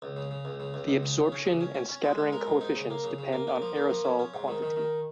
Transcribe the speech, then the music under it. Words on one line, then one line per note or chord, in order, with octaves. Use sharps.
The absorption and scattering coefficients depend on aerosol quantity.
C#2
C#3
C#3
C#2
C#3
C#2
C#2
C#3
C#3
C#4
C#3
C#4
C#4
C#4
G#3
G#3
A#4
G#2
D#4
C#3
A#3
C#3
C#3
A#3
A#3
F3
A#3
F3
C#4
C#4
G#2
D#3
D#3
D#3